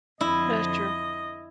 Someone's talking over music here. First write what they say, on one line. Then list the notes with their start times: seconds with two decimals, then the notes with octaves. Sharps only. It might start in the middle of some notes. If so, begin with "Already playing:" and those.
That's true.
0.21 F2 D3 E4 D#5